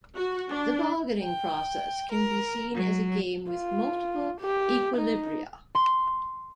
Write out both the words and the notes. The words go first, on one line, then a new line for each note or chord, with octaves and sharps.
The bargaining process can be seen as a game with multiple equilibria.
F#4
D4
G5
A#4
F#3
F4
G4
D#4
C6